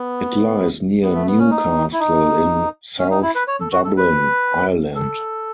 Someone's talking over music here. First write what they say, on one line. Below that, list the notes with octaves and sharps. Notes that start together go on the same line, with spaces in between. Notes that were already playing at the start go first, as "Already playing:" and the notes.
It lies near Newcastle, in South Dublin, Ireland.
Already playing: B3
B3
A3
B3
C#4
D#4
E4
D#4
C#4
D#4
E4
B4
C#5
A4
F#4
A4
B4
A4